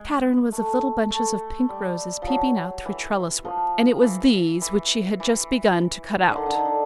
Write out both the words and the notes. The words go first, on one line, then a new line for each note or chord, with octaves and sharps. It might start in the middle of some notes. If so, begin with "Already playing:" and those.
The pattern was of little bunches of pink roses peeping out through trellis work, and it was these which she had just begun to cut out.
Already playing: G#3
A3
A3
G3
F3 F#3
E3
F3
E3
E3
E3
D3
D#3
D3
D#3
D3